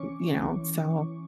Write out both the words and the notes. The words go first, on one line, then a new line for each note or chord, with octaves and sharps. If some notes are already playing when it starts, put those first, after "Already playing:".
you know? So,
Already playing: E3 C#4 C#6 D6
E3
E3
E3